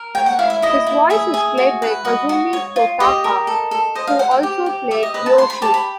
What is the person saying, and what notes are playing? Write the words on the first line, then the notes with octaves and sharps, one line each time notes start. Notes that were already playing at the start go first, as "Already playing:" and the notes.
His voice is played by Kazumi Totaka, who also played Yoshi.
Already playing: A#4
C#5 G5
F#5
E4 F5
E5
E4 D#5
E4
G#4 E5
G#4
F#4
B4
F#4 D#5
F#4
C#5
F4
G4 D#5
A#4
A4
A4
C5 D#5
F5
C5 F#5
G5
G4
G4
G4 E5
D#5
B4 D#5
A5
C5 C6
B5
G4 A5
B5